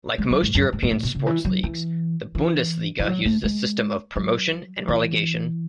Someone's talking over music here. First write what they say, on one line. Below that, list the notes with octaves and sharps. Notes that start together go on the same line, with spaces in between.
Like most European sports leagues, the Bundesliga uses a system of promotion and relegation.
G#3
F#3
G#2
F#2
G#2
G#2
A2
B2
C#3
E3
F#3
E3
E3
E3
F#3
A3
G#3
F#3
E3